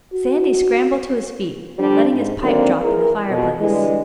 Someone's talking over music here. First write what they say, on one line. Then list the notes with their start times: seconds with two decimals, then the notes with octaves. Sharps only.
Sandy scrambled to his feet, letting his pipe drop in the fireplace.
0.13 F#4
1.78 D3 F3 G3 D4
2.13 G#2
2.42 D3 D#3 F#3 A#3 C4
2.81 E3 G#4 A#4
3.29 F2 B2
3.59 D3 E3 G3 G#3